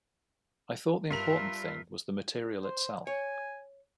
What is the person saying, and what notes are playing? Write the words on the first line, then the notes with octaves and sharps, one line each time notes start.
I thought the important thing was the material itself.
G2 F4 A#4 E5 F7
C5
C#5 G#5